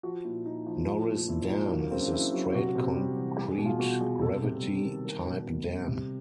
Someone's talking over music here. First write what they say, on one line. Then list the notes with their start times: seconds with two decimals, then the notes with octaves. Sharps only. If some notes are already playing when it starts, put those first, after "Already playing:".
Norris Dam is a straight concrete gravity-type dam.
0.03 F3 F#4
0.24 A#2 E4
0.45 A#2 D#4
0.66 F3
0.87 F3
1.08 A#2
1.28 A#2 E4
1.49 F3 D#4
1.70 F#3 A#3
1.80 A#3
1.91 C#3 C4
2.02 D4
2.12 C#3 E4
2.34 F#3
2.54 C3 F#4
2.75 C3
2.96 G3
3.17 E3
3.38 G3 G4
3.51 G#4
3.58 B2
3.66 F4
3.79 B2 F#4
4.01 G3 G#4
4.21 C3 A4
4.43 C3
4.63 G3
4.84 D#3
5.04 G3 A#4
5.25 B2
5.46 B2
5.67 G3
5.87 C3